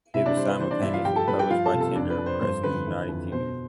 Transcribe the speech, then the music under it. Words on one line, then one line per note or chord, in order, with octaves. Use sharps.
It was simultaneously published by Tinder Press in the United Kingdom.
C3 E4 E5
D4 D5
G3 C5
B4
E3 C5
D4 D5
G2 E4 E5
F4 F5
F3 G4 G5
A4 A5
G2 B4 B5
G4 G5
F3 F4 F5
A4 A5
C3
A4 A5
F2 D4 D5
B4
F2
C5
G2 C5
D3 B4
E3
F2
B2 C5